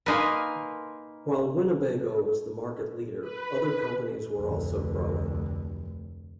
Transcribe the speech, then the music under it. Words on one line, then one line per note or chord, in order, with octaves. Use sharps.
While Winnebago was the market leader, other companies were also growing.
A#3 D#4 A#4 B4 G#5 C6
B4
F1 D2